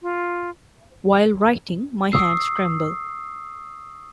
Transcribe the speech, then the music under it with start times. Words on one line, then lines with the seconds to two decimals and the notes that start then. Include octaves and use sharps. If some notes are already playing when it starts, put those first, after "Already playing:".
While writing, my hands tremble.
0.02 F4
2.12 C#6 D#6 E6 C7